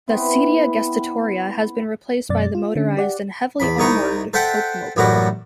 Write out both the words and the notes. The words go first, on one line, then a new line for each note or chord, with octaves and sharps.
The "sedia gestatoria" has been replaced by the motorized and heavily armoured "Popemobile".
B3 C4 E4
F#2 B2 D5 A6
F4
D3 C#4
G4 D5 F#5
E2 B5
C2 D#4 E4 C#6 D#6
A4 C5 E5 F#5 G5
A1 F#2 G3 E4 F#4